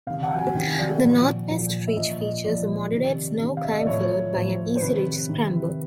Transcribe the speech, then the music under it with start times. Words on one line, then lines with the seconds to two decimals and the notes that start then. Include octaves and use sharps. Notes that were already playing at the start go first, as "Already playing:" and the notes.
The Northwest Ridge features a moderate snow climb followed by an easy ridge scramble.
0.07 C3 D#3 F5
0.23 F#5
0.39 G#5
0.54 C3 D#3 G5
0.78 D5
1.02 A#2 F3
1.49 A#2 F3
1.87 E5
1.97 A#2 F3 D#5
2.20 D#5
2.44 A#2 F3 D5
2.92 C3 D#3
3.39 C3 D#3
3.57 F5
3.65 E5
3.71 D#5
3.80 D5
3.87 A2 F3 C#5
4.34 A2 F3 C5
4.76 C5
4.82 C3 D#3 B4
5.29 C3 D#3